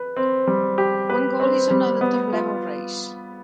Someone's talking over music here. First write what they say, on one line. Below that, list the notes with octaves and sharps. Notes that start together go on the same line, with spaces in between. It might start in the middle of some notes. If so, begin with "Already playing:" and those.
One goal is another top-level race.
Already playing: B4
C4
G3
G4
B4
C4
G3
B3
F4